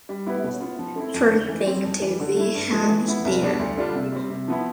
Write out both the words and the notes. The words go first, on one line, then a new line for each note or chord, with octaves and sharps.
First thing to be hung there.
G3
B3 E4 G4 B4
B2
B3 F4
F3
A3 C4 E4
F2
D3 A3
E3
G3 C4 G4
F2
E3 G3
D3
A3 E4
G2
F3 A3
E3
B3 E4
C2
B2 G3 D4
D2
D3 G3 D4 F4
C3
G3 C4
C3
F3 B3 E4